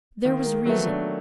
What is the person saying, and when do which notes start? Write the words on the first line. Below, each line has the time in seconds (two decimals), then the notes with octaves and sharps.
There was reason.
0.25 D#3 A#3
0.46 A#3
0.66 F#3 A3 B3
0.87 D4